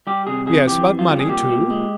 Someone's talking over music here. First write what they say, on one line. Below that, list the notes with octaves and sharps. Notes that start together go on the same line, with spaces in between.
"Yes, about money, too."
G3 G4
C3 G#4
F2 G#4
E3 G4
F2
F4
G3
G#4
A#2 G4
A#2
G#3